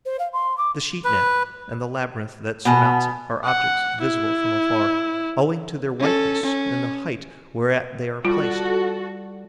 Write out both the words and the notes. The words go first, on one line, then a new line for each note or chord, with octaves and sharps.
The sheet-net and the labyrinth that surmounts it are objects visible from afar, owing to their whiteness and the height whereat they are placed.
C5
F5
C6
D6
B4
B2 B3 F#5 G#5 A5
F#5
E4
C#4 A4
C#4
G3 F4 F#4 A4